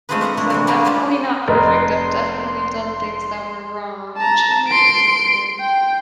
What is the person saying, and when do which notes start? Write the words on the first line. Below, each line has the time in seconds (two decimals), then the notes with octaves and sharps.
'cause I'm definitely not perfect. I've definitely done things that were wrong. I'm trying to think here.
0.09 G#3 A3 C4 F4 G#4 B4
0.21 G4 E5 F#5 A#5
0.37 A3 D4 E4
0.50 C3 E3 F#4
0.67 G3 A3 A#3 G#4 B4
0.85 G#3 F4 G4 E5
1.48 F1 A#4 B4 D#5 C6
4.17 A5 A#5
4.68 C6 D7
5.61 G5